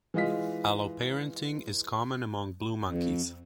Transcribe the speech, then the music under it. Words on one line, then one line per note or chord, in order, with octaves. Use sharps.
Alloparenting is common among blue monkeys.
E3 G#3 F4 D#5 F5 B6
F2